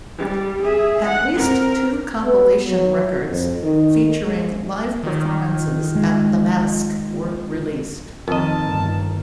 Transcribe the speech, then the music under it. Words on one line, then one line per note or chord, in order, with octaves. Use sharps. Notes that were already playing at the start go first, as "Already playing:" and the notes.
At least two compilation records featuring live performances at the Masque were released.
G3
G#4 E5
F#5
C4 A#4
B3
F#3
F2
D#3
G#3
D#3 F4
G#3
F4
F2 D#3 A#4 D#5 A5
G1